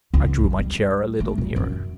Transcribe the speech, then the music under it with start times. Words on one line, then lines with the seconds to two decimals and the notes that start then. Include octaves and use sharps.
I drew my chair a little nearer.
0.14 C#2
0.44 A1
0.59 G3
1.20 A3
1.38 A#2
1.56 F#2